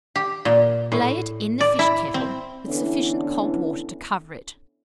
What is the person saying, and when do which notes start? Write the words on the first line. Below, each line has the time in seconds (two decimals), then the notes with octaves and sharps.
Lay it in the fish-kettle, with sufficient cold water to cover it.
0.16 G4
0.45 A#2
0.92 A2
1.60 D5
1.79 E4
2.14 C4
2.66 D3 E3 B3 C#4 D4 E4